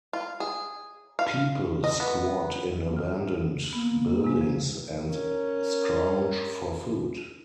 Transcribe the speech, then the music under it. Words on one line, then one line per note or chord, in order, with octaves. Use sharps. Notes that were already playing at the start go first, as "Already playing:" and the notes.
People squat in abandoned buildings and scrounge for food.
F4
G#4
F5
D#5
B3
F6
A#3 B3
C3 G#3
F3
C#4 A#4